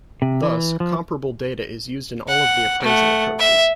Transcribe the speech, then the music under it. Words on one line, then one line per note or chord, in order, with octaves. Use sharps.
Thus, comparable data is used in all of the appraisal approaches.
C3
E3
F3
F#5
A3 F#5
E5